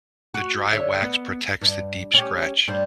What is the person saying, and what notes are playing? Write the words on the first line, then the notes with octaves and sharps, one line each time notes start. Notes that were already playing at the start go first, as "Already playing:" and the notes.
The dry wax protects the deep scratch.
F#4
D3 C#5 E5
B3
G2
C#4 G4
G2 G3 C5